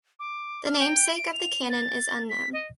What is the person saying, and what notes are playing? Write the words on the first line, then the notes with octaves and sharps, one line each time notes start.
The namesake of the cannon is unknown.
D6
F6
G5
D7
F7
A6
B6
D#5